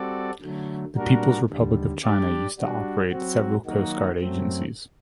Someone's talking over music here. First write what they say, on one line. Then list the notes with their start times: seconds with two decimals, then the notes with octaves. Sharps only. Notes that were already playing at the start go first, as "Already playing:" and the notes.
The Peoples Republic of China used to operate several coast guard agencies.
Already playing: G3 C4 F#4 A4 D5
0.41 D3 F#3 A3
0.96 A#2 G3 D4 F#4 A#4
1.50 D#2 D3 G3
2.04 G3 D4 G4 D5
2.58 G3 D4 F#4
3.12 F#3 C4 F#4
3.66 D#3 F#3 A#3 D#4 F#4
4.20 F#2 F#3 A3 C4